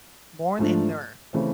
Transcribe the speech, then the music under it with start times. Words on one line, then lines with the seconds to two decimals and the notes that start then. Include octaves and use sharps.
Born in Nr.
0.59 G#2 F3 A3 D4
1.33 C#3 E3 A3 C4